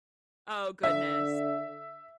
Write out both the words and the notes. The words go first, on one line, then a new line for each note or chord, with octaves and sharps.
Oh, goodness.
D3 E5